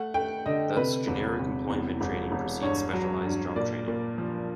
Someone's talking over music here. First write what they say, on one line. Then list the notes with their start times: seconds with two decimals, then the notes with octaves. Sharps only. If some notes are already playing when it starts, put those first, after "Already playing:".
Thus, generic employment training precedes specialised job training.
Already playing: A3 F#5
0.14 A3 G5
0.46 D3 D#5
0.77 C3 B4
1.08 E1
1.39 C3
1.70 E2
2.01 E1
2.32 E1
2.63 G2 C#5
2.93 F#3
3.25 G2
3.56 A#2 D5
3.87 A#2
4.18 F3